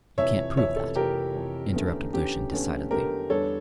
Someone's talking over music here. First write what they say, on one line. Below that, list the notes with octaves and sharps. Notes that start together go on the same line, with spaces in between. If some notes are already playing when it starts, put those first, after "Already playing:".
"You can't prove that," interrupted Lucian decidedly.
F1 F2 E3 C#5 E5
F1 F2 E3 C#5 E5
A4 C#5
F1 F2 E3 G4 A#4
F1 F2 E3
E2 D3 A3 C#4
E2 D3 A3 C#4 G4
E2 D3 A3 C#4
E2 D3 A3 C#4 G4 A#4
E2 D3 G3 D4 A4 C#5